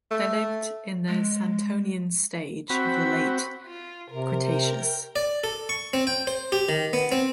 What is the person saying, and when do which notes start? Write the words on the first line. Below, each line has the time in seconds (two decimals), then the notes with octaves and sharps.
They lived in the Santonian stage of the Late Cretaceous.
0.11 A3
1.08 G#3
2.70 C4 F#4 B5
3.66 F4
4.10 C3 A#4
4.44 A#4 G5
5.16 D5
5.44 A4
5.69 C#6
5.93 C4
6.07 G5
6.27 C5
6.52 G4
6.69 D#3
6.93 B3
7.12 C4